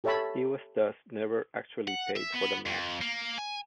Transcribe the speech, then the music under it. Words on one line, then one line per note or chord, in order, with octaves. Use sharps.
He was thus never actually paid for the map.
G4 A4 C#5 E5 A5 B5
F#5
E5
B3
F2
A#3
G#5